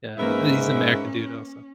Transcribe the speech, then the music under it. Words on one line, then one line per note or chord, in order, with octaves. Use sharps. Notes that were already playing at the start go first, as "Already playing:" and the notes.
Yeah, he's a he's American dude, also.
G#2 A#3 B3 C#4 A#4 B4 E5